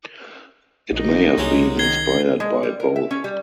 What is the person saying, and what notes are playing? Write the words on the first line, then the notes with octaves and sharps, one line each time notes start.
It may have been inspired by both.
A#1 A#3 D#4
C2 F#3 G#3
D#3 G#6 C7 G7
G#3
G3
A#4
E5
C#4
G3